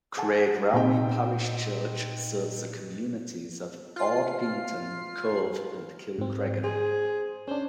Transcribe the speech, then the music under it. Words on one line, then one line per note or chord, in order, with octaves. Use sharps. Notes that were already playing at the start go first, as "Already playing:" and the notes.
Craigrownie Parish Church serves the communities of Ardpeaton, Cove and Kilcreggan.
G#4 F#5 A5
A#2 C4 D#4 G5
F4 C7
G#2 C4
G#4 C5
C#4 D4 C5